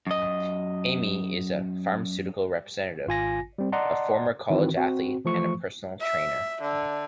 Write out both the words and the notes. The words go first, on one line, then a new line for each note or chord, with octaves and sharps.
Amy is a pharmaceutical representative, a former college athlete, and a personal trainer.
F#2 D#5
G#1 F4 G#5 A#6
G3 C4
D5 D#5 F#5 A5 A#5 C6
D#3 E3 C4 F#4
C4 F#4
E3 F3 A3 C#6
E5
D3